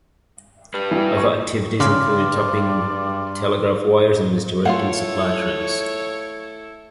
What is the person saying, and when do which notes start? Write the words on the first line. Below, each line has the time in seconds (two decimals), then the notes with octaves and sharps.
Other activities included tapping telegraph wires and misdirecting supply trains.
0.74 G4 B4
0.91 E3 G3
1.17 C#6
1.80 G2 C#3 D5 C6 D6 F6
4.65 A3 E4 F4 A4 C#5 F5 F#5